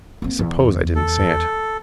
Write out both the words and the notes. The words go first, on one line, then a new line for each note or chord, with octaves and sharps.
I suppose I did say it.
A#3 C4
E2
A4